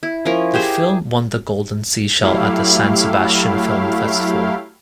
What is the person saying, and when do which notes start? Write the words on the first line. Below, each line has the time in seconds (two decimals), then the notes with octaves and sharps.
The film won the Golden Seashell at the San Sebastian Film Festival.
0.03 E4
0.25 F3 C#4 E4 A#4
0.54 G4 G#4 C5 E5
2.23 F#3 A3 E4 G4 F5